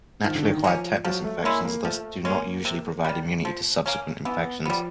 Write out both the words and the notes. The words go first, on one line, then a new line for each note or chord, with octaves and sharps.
Naturally-acquired tetanus infections thus do not usually provide immunity to subsequent infections.
D#3 F3
D3
D#3
F3 A#3 C#4
F3 F#3
A3
G#3 A#3 C#4 E4
A#3
F3 A3
G#3 A#3 C#4
C3
D#3 G3
F3
A#3 C#4
E3 B3
F3 G3 B3